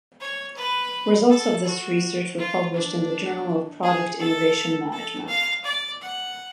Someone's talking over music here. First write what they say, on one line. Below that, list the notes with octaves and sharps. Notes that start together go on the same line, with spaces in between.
Results of this research were published in the Journal of Product Innovation Management.
C#5
B4
A4
F#4
F4
D4
G#4
A4
A4
F5
D5
F#5